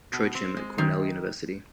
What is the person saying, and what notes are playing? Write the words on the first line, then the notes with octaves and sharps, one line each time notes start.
Trochim at Cornell University.
B2
C4
G#3
D#3